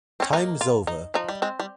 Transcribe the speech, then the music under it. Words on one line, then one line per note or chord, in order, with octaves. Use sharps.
Time's over!
C4 C#4
A#3 D#4
F4
D#4
F3 D#4
G3
G#3 C4
G3